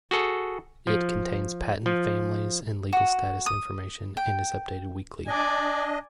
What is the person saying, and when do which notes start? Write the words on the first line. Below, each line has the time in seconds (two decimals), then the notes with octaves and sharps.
It contains patent families and legal status information, and is updated weekly.
0.11 F#4 G#4 A4
0.87 F3
1.86 F3
2.93 F#4
3.46 D#6
4.17 G5
5.27 D4 D5 D#5 G#5